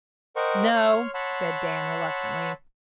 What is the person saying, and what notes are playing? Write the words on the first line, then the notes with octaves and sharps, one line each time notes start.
"No," said Dan reluctantly.
A#4 C5 D#5 F#5 G5 C#6
C#5 C6 F6
C#5 F#5 A5 B5 C6 E6